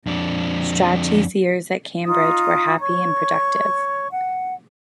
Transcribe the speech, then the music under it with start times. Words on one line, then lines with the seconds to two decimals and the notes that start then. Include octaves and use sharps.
Strachey's years at Cambridge were happy and productive.
0.07 F2 D4
2.05 D#4 F4 D#6
2.80 C#5 C#6
4.12 F#5